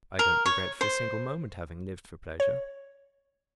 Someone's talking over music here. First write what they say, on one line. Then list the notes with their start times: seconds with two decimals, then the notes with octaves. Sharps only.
I don't regret for a single moment having lived for pleasure.
0.19 A#4
0.46 C#5
0.81 C5
2.40 C#5